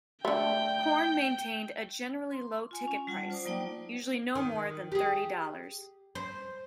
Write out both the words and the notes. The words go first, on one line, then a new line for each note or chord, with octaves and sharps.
Korn maintained a generally low ticket price, usually no more than thirty dollars.
D3 A3 G5
C6
F4 G#5
C#4
G3 F4 F#5 A5
F4 C5 D5 A5 D6 D#6
F#3 A#3 D#4 D5 F#5 G5
D#3
G4 G#4
C5